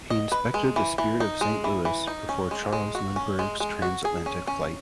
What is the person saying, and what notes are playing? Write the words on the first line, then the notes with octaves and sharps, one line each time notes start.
He inspected the Spirit of Saint Louis before Charles Lindbergh's trans-Atlantic flight.
D#5
B4
G#3
E3
E3
D#4
G#3
E3
E3
D#4
C#4
G#3
G#3
F#4
C#4
G#3
G#3
F#4
G#4
C#4
C#4